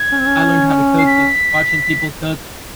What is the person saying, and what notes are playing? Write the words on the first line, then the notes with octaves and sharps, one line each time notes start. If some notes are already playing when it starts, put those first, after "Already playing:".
I learned how to cook- just watching people cook
Already playing: G#6
C#4
C4
C#4
C7
B6